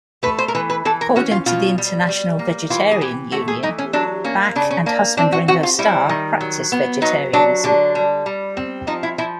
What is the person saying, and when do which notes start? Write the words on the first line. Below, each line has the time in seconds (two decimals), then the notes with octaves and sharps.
According to the International Vegetarian Union, Bach and husband Ringo Starr practice vegetarianism.
0.23 A3 B4
0.39 C5
0.48 A#4
0.55 E3 B4
0.70 B4
0.85 E3 A4
1.01 A#4
1.16 C#4 F#4
1.31 F4
1.46 B2 F4
1.78 G3
2.09 G3
2.39 A#3
2.70 E3 F4
2.91 G#4
3.01 E3 G4
3.32 A3 F#4
3.48 G#4
3.63 E3 D#4
3.78 C#4
3.93 F#3 D4
4.24 A#3 C#4
4.56 C#3 D4
4.71 C#4
4.86 A#3 D4
5.17 C4 D4
5.32 F#4
5.48 C4 F#4
5.63 F4
5.79 G3 E4
6.09 D#3
6.41 F#3
6.72 B3
7.02 F#3 D#4
7.33 F#3 D4
7.64 D3 D4
7.95 G3
8.26 G3
8.57 C4
8.87 F3 D#4
9.03 E4
9.18 F3 E4